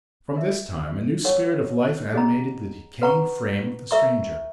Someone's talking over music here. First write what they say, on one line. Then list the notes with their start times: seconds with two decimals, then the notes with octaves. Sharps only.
From this time a new spirit of life animated the decaying frame of the stranger.
0.36 D#4 A#4 E5
1.24 D#4 A#4 C#5 F#5 C#6
2.13 D#4 G#4 D#5 F#5 A#5
3.02 B4 F#5 A#5 C#6
3.91 A#4 E5 A#5 C#6